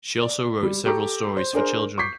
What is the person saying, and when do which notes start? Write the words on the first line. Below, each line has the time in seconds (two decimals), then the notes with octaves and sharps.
She also wrote several stories for children.
0.22 D5
0.63 G3
0.86 G4 A4 A#5 C#6 D6
1.37 C5
1.53 D4 G#4 A#4 C5
1.98 C#6 D6 G6 B6 C7